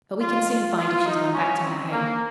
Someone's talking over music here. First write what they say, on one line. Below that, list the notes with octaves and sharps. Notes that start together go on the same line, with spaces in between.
But we can soon find if she's gone back to her home.
F2 D#3 F4
F4
F4
D#4
G2 F3 C#4
C4
A#3